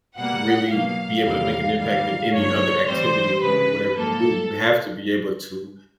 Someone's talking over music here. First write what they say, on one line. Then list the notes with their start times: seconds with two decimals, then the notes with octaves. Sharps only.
really be able to make an impact in any other activity, or whatever you do, you have to be able to,
0.17 B2 G3 A#3 F#5
0.71 B2 F#3 A#3 F5
1.25 E2 C3 D#3 G3 A#3 F5
1.79 G#2 D#3 G3 A#3 F5
2.35 G2 D3 F#3 A#3 C#5
2.88 A2 E3 G3 C4 C5
3.43 C#3 E3 G#3 B4
3.97 G#2 F3 A#3 A4